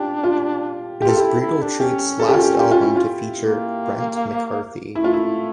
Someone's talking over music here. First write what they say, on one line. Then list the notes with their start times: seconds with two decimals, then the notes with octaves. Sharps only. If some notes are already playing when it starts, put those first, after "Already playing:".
It is Brutal Truth's last album to feature Brent McCarthy.
Already playing: D4 F4 G4
0.23 F4
1.01 F4 G4
1.09 A4
1.17 G4
1.22 E4
1.41 E4
1.61 D4
1.80 C#4 G4
2.19 A4
2.28 G4
2.34 F4
2.42 G4
2.60 G4
2.71 F4
2.83 E4
2.96 F4
3.39 A#3
4.95 A3 E4
5.04 F4
5.13 E4